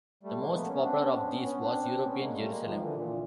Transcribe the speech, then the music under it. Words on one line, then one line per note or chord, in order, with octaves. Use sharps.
The most popular of these was "European Jerusalem".
G3 A3
G#3 A#3
A3 B3
B3 C#4
C4 D4
B3 C#4
C4 D4
B3 C#4
B3 C#4
C4 D4
B3 C#4
G#3 A#3
G3 A3
G#3 A#3
D#3 F3
D3 E3
A#2